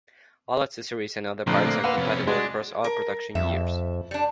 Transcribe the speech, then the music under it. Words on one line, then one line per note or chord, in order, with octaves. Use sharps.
All accessories and other parts are compatible across all production years.
A#1 D3 F3 A3 C4
A#3
B4 F5 F#5 C6 E6 F6
F2 C3 B3 C#4
G#3 D4 F#4
A#4
F2 E5
G3 D4